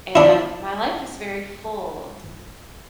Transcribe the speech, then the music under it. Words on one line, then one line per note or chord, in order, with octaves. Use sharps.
and my life is very full
D4 E4